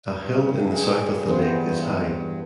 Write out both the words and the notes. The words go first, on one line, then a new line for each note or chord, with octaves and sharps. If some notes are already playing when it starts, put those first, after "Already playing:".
A hill in the south of the lake is high.
G2
G#4
E3 B3 C5